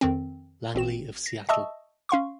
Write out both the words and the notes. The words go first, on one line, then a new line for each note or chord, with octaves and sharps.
Langley of Seattle.
F2 D#3 C4
A1 C4 F#4 E7
A#6
D#5 E5 A5 C#6 D#6 E6
C#4 F5 C6 C#6